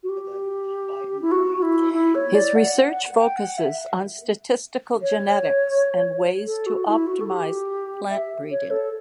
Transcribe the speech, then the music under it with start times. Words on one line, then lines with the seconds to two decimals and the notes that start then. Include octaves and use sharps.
His research focuses on statistical genetics and ways to optimize plant breeding.
0.03 F#4
0.09 G4
1.22 E4
1.31 F#4
1.58 F#4
1.62 E4
1.93 E4
2.15 C#5
2.34 D5
2.55 F#5
3.17 G5
3.37 F#5
3.58 E5
5.02 C#5
6.46 A4
6.66 F#4
6.87 E4
7.07 F#4
7.21 A4
7.27 G4
8.10 E5
8.51 C#5
8.70 A4